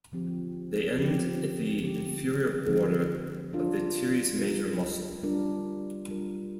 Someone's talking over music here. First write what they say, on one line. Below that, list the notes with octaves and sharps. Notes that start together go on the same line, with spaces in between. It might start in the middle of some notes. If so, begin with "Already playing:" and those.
They end at the inferior border of the teres major muscle.
D3 F3 C4 G4
D3 F3 C4 G4
D3 F3 C4 G4
D3 F3 C4 G4
G3 D4 F4 A#4
G3 D4 F4 A#4
G3 D4 F4 A#4
G3 D4 F4 A#4